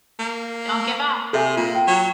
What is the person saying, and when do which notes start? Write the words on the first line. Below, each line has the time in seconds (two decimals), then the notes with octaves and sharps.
Don't give up!.
0.19 A#3
1.33 C3 A4 E5 G#5
1.57 A#2 F4
1.75 G5
1.87 F#3